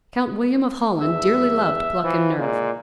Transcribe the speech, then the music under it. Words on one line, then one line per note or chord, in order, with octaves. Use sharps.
Count William of Holland dearly loved pluck and nerve.
E2 E5
E3 F3
A#2 G#3